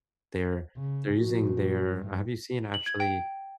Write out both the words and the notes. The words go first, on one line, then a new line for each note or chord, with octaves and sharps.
they're they're using their have you seen actually,
C#3
A#2 F3 F#4
G2
F#7
G#6
G5